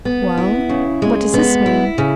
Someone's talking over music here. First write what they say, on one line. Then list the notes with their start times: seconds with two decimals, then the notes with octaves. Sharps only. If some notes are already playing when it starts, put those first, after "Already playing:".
'Well? what does this mean?'
0.05 B3
0.37 E4
0.69 C#3
1.02 G#3
1.34 B3
1.66 E4
1.98 C#3